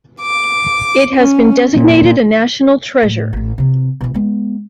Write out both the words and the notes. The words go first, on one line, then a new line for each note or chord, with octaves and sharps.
It has been designated a National Treasure.
D6
C#4
A#2
A2
A1 A2
C3 E3
B2 E3
G#3 B3